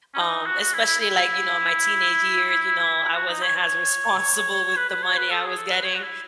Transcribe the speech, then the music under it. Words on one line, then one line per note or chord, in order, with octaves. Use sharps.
um especially, like, you know, in my teenage years, you know, I wasn't has responsible with the money I was getting,
C#4
D#4
F#4
F#4
E4
E4
E4
F#4
D#4
C#5
C#5
B4
B4
C#5
B4
A4
G#4
A4
B4
C#5
F#4
E4